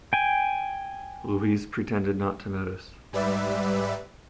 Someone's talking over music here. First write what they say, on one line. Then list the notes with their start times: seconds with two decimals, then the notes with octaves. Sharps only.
Louise pretended not to notice.
0.13 G5 G#5
3.13 G#2 G3 B4 D5 E5